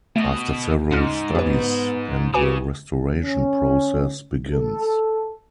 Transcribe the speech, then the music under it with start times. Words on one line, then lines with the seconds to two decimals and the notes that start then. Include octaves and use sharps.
After several studies and the restoration process begins.
0.16 B2 A3 D#5
0.91 D#2 G#2 C#4 D#4 F6
1.35 B3 G4 B4
2.34 C#3 F#4 B4 G#5 D6
3.24 C#4
4.53 A4